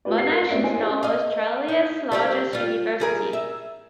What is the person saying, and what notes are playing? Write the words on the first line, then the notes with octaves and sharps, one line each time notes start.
Monash is now Australia's largest university.
A3 F4 G4 B4 D5
C7
A#4 F#6
A3 B3 D5 E5 D7
C#4 E4 C5 D#5 G#5
C#4 G#4
D#5 F5
D#4
G3 C4 G4
G3 F4
G3 G#4 A#4
E5